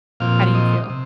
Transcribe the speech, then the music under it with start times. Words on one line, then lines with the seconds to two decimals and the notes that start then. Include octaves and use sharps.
How do you feel?
0.20 A#2 F3 C4 F5
0.55 D#5
0.90 C3